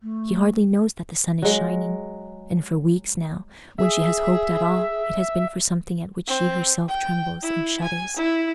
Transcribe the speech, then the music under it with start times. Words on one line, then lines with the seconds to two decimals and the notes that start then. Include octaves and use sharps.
She hardly knows that the sun is shining; and for weeks, now, when she has hoped at all, it has been for something at which she herself trembles and shudders.
0.01 A3
1.42 F#3 G#3
3.78 G#4 E5
6.27 C4
6.88 G5
7.42 E4
7.83 G#5
8.16 E4